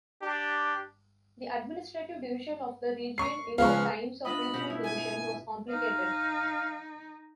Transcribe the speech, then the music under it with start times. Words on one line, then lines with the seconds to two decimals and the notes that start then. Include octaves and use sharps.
The administrative division of the region in the times of regional division was complicated.
0.22 D4 G4
3.18 C#6 C7
3.58 C#2 F3 G#4 B4 F5 C#6
4.25 D4 F4 D#5 B5
4.54 B2 G4
4.70 E4
4.84 G#5
5.69 D#4 F5